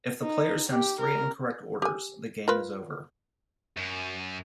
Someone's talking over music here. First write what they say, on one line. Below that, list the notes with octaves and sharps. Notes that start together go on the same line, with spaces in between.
If the player sends three incorrect orders, the game is over.
D#4
G4
A#4
G4 G#5
F4 A#4 B4
F#2